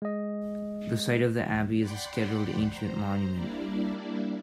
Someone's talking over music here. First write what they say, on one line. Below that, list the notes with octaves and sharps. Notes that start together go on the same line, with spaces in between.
The site of the abbey is a Scheduled Ancient Monument.
G#3 D#5
D5 F#5 G5 B5 C6
C5 A#5
G3 A#3 D4 E4 D5